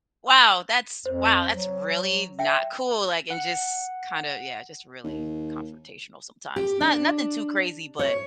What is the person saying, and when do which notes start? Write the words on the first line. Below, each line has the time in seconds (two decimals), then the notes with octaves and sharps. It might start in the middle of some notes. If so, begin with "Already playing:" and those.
Wow, that's wow. That's really not cool," like, and just kinda yeah, just really confrontational sometimes. Not nothing too crazy, but
1.06 F2 C5
1.50 F#3
2.39 E5 G5
3.30 F#5
5.04 D#2
6.56 G4
6.81 D4
7.99 C#5